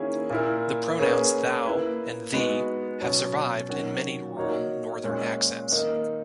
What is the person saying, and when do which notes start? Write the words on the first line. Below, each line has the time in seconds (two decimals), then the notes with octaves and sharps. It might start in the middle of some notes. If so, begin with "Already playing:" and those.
The pronouns "thou" and "thee" have survived in many rural Northern accents.
Already playing: D#3 A#3 C#4 E4 G#4
0.30 A#2 A#3 E4 A#4
0.98 A#3 C#4 G#4 B4
1.65 A#3 E4 B4
2.33 G#3 B3 D#4 F#4
3.01 B2 F#3 C#4
3.69 D#3 F#3 C#4 F#4 C#5
4.36 A#3 D#4 F#4 C#5
5.04 A#2 G#3 C#4
5.72 D#3 A#3 D#4